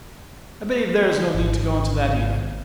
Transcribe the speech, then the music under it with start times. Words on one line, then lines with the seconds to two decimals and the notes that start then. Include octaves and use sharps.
I believe there is no need to go into that either.
1.34 G#1